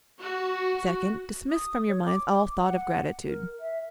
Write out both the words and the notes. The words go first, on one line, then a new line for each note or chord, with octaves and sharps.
Second, Dismiss from your minds all thought of gratitude.
F#4
D#6
C#5
D6
F#5
A#4
E5